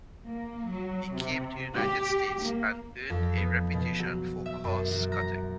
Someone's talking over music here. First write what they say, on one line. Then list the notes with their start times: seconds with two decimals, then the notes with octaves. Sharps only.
He came to the United States and earned a reputation for cost cutting.
0.26 A#3
0.69 F#3
1.15 C3
1.74 G4
2.41 A#3
3.10 F2
3.37 B3
3.74 B2
3.99 F#3
4.46 E5
4.64 F#2
4.91 F#3
5.12 A#5